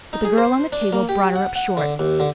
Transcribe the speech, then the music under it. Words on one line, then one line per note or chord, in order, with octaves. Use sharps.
But the girl on the table brought her up short.
D#4
G#4
C5
D4
A#3
G4
F#5
F#5
D3
D#2
D3